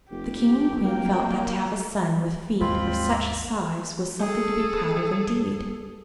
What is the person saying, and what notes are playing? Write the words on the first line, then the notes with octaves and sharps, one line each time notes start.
The King and Queen felt that to have a son with feet of such a size was something to be proud of, indeed.
F1 G4
A#3 G5
G#1 D#2 G#3 C4 F4 B5
G#4 A4